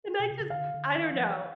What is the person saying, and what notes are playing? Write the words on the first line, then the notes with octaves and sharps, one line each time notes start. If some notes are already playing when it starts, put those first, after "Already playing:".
and I just, I don't know.
B2
C3
C#3
D3 F5
D3
D#3
F3
E3